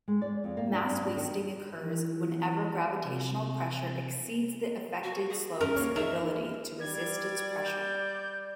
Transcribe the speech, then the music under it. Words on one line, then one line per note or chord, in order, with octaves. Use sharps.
Mass-wasting occurs whenever gravitational pressure exceeds the affected slopes ability to resist its pressure.
G#3
D5
F2
A#3
D4
G2
D4
D#3
E3
C3
F#4
G#4
G2 C#4 A#4
A#3 C#5
D#4 G#4 A#4 E5
G3 D5 G#6
G6